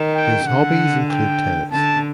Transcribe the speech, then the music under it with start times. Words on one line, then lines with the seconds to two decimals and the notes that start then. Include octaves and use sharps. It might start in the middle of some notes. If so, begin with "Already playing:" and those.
His hobbies include tennis.
Already playing: D#3
0.16 G5
0.47 D3 F#5
1.10 G5
1.72 D3 A5